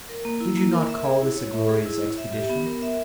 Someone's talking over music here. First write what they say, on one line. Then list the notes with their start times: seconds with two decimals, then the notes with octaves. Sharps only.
Did you not call this a glorious expedition?
0.09 A#4
0.25 A#3
0.41 E4
0.57 A#3
0.72 A#4
0.89 E5
1.05 G#4
1.22 E4
1.37 C#5
1.53 E5
1.69 G#4
1.86 E4
2.01 C#5
2.17 E5
2.33 G4
2.49 B3
2.66 A#4
2.82 E5